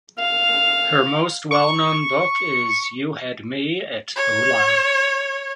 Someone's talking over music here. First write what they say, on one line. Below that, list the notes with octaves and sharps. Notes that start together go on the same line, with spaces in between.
Her most well known book is "You Had Me at Hola".
F5
C#6
C#5